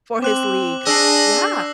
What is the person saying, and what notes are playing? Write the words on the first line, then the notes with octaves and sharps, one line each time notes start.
for his league. Yeah.
C4 D6 F#6 F#7
D4 G#4 D#5 E6 A#6 C7